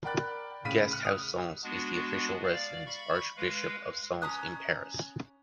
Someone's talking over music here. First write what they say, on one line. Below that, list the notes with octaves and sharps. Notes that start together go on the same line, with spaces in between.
Guest House Sunce is the official residence Archbishop of Sunce in Paris.
A#4 D5 G5 B5 F#6 A6
A2 C#3 F5 B6 D#7
F6 F#6 C#7
D#6 F7
G#3 B3 D4 F#4
D5 F5
B5 C#6
G#3 B4 F5
C#4 A#5 D#6 F#6